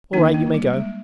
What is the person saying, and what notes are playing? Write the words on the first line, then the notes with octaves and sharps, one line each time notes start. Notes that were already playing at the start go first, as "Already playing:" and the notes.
'All right, you may go!'
D#3 A#3 D4
A#3
G3
G#3